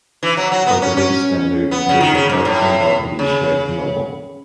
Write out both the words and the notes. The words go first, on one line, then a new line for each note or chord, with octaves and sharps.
By today's standard, they should have undoubtedly shared the Nobel.
E3
F#3
F#3
B3
C#4
C#4
B3
C#3
D#3
C#3
G#2
A2
C#3